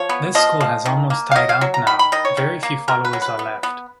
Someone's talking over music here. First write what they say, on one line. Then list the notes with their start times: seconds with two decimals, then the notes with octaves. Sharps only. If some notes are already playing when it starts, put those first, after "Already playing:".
This school has almost died out now; very few followers are left.
Already playing: F3 C#5
0.09 B3
0.35 F3 D#5
0.60 F3
0.85 D#3
1.10 A#3
1.31 F5
1.36 F#3 D#5
1.49 F5
1.61 F#3
1.74 A#5
1.87 D#3 B5
1.99 B5
2.12 D#3 D#5
2.25 C#5
2.37 D#3
2.63 A#3
2.88 B2 A#4
3.05 B4
3.13 F#3
3.22 B4
3.39 B3
3.63 B3